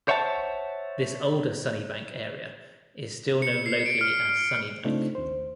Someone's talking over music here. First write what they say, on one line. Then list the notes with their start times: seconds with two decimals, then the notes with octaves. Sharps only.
This older Sunnybank area is still known locally as Sunnybank.
0.08 C5 C#5 E5 F#5 A5
3.42 C#7
3.66 C7
3.86 D7
4.01 F6
4.30 F6
4.84 C#3 A3 C4 D4 D#4 F4
5.15 D#2 C5